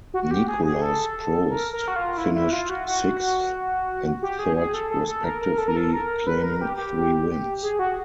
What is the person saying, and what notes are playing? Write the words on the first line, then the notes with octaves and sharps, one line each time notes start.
Nicolas Prost finished sixth and third respectively, claiming three wins.
F#4
F#4
G4
G#4
G#4
A4
A#4
A#4
F#4
F4
E4
E4
F4
F#4
F#4
G4
G#4
G#4
A4
A4
A4
A#4
A#4
A4
A#4
A4
A#4
B4
A#4
G4
G4
G#4
F#4